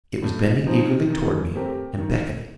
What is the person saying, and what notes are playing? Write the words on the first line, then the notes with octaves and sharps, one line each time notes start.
It was bending eagerly towards me, and beckoning.
A2
F3 C4 D#4
D#3
A3 C4 G4 A#4
D#3